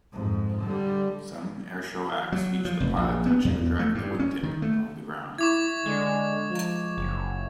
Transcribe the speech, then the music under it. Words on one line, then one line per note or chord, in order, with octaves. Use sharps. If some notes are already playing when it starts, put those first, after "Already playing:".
Some airshow acts feature the pilot touching or dragging the wingtip along the ground.
F2 G#2
D3 G3
F#3
F3
F1
A#1
B3
E2
A3
G2
C#4
D#3
A3
E4 C#6 D6 G#6
D3 G#3
F3
F#1